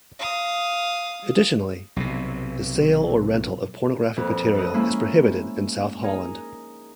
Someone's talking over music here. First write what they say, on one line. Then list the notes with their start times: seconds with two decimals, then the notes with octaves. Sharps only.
Additionally, the sale or rental of pornographic material is prohibited in South Holland.
0.19 F5 D#6
1.96 B1 C3
4.17 F2 A#2 A4 B4
4.55 A4 B4 D#5
4.74 G#3 A#3 C#4 E4
6.03 D#4 G#4 A#4